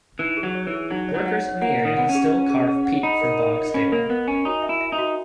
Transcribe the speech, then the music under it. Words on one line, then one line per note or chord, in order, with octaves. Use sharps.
Workers in the area still carve peat from bogs daily.
E3 D#4
G#4
F#3
C#5
E3
G#4
F#3 D#4
C#5
F#3
F#5
C#5
A#3 F#5
F#5
D#3
B3 F#5
C#4
G#4
B4
G#4
G#4
F#5
D#4 B5
A#4
A#4
D#5
C#4 B5
A#3 A#4
B3 A#4
C#4 G#5
D#4 F#4
E5
E4
E5
D#4
F#4